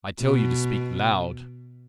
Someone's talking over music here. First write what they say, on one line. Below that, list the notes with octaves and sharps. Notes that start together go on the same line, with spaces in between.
"I tell you to speak loud."
B2